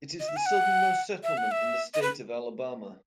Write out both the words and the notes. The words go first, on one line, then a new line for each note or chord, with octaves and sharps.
It is the southernmost settlement in the state of Alabama.
D#5
E5
G#5
F#5
E5
F#5
E5
D#5
B4